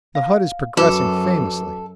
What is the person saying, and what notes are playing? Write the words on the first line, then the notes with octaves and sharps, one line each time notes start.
The hut is progressing famously.
F5
F#2 F#4 A4 B4 D6